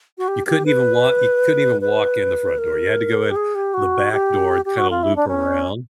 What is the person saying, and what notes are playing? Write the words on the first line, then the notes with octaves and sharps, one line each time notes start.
You couldn't even walk you couldn't even walk in the front door, you had to go in the back door and, kinda loop around
F#4
G4
G4
B4
B4
A#4
G4
G#4
G4
F#4
G4
G4
F#4
F4
E4
D4
C#4